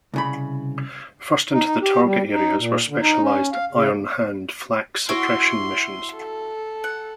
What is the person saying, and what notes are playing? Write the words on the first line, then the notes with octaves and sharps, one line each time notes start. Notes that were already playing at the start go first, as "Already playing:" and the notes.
First into the target areas were specialized "Iron Hand" flak suppression missions.
C2 C#3 B5
D#4
D#4
G4
G3
D#4
A#2
D3
D#4
C#4
F5
C#3
E4 F#4 C#5 C6
A4
F#5